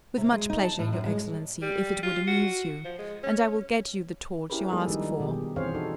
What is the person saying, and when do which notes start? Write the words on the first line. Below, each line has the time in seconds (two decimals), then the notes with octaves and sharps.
With much pleasure, your excellency, if it would amuse you; and I will get you the torch you ask for.
0.17 C3
0.33 G#3
0.50 D#4
0.63 A5
0.79 A2
0.93 F#2
1.06 G#3
1.62 G3
2.03 F4
2.28 F#4
2.85 F3
2.99 G#3
3.24 C#4
4.50 C#4 E4 G4 G#4 A#4 B4
4.72 G3 G#3 A#3 D4 G#4 A4
4.88 D#3 F3 D#4
5.20 B2 D#3 G4 G#4
5.56 E3 C4 G#4 C5 C#5 F5
5.74 D4 D#4 F#4 A4